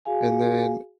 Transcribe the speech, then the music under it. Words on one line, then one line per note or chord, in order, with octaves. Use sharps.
and then
F#4 G#4 F5 G#5